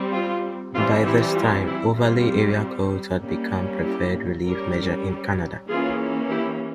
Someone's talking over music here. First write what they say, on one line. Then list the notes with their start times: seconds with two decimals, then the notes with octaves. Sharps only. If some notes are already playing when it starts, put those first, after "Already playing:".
By this time, overlay area codes had become the preferred relief measure in Canada.
Already playing: G3 C4
0.11 F4
0.74 E3 G3 C4 F4
1.04 E4 G4
1.35 F4
1.66 E4
1.97 G3 C4 F4
3.20 G3 A#3 C#4
3.82 E4 G4
4.44 G3 C#4 G4 A#4
5.68 E3 A#3 C#4 F4 G#4
6.30 E4 G4